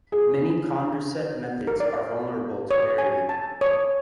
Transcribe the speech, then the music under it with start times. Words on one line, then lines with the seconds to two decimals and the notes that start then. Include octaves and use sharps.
Many Condorcet methods are vulnerable to burying.
0.12 G#4
1.67 A#4
1.80 D5
2.71 C#5
2.98 G#5
3.29 A5
3.61 C#5